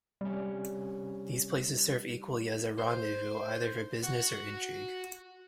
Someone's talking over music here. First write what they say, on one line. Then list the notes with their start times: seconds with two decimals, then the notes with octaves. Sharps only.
These places serve equally as a rendezvous either for business or intrigue.
0.21 C3 G3 C#4
2.78 C5
4.03 F#4